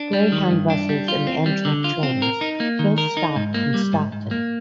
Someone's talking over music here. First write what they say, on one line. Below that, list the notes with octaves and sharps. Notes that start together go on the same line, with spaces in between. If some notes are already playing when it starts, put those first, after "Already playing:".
Greyhound buses and Amtrak trains both stop in Stockton.
Already playing: D4
G3
D#3
G2
D4
G3
F4
C4
G3
D3
F4
C4
A#4
D#4
A#3
D#3
A#4
D#4
G#2
A#3
G3
G#2
G#2
A#3